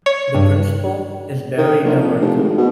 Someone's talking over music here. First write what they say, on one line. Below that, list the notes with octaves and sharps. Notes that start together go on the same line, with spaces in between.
The principal is Barry DeHart.
C#5
G2
D#3
A#1
F2
F1
G#1
B2